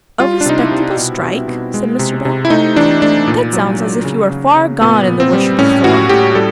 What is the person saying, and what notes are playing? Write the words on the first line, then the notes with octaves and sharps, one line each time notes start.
'A respectable strike!' said Mr. Bell. 'That sounds as if you were far gone in the worship of Thor.'
G3 F4
D4
C3 D#4
E4
C3
B2
B2
B2
G#3
C3
C3
E4
A3 D#4
E3 D4
A3 D4
A#2
F#3
F#3
C#3
C#3
C#3
A#2 B3
A#2
C4
G3
A2 C#4
A2 F#4
A2 G4
G3 A4